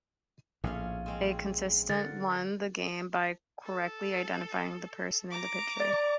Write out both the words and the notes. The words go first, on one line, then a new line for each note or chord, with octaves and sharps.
A contestant won the game by correctly identifying the person in the picture.
A#1 A2 C#4 F4 G#4
G#3 C4 C#4
D3 A#4 F#5 C6 A6
A4
A#5 D6
D5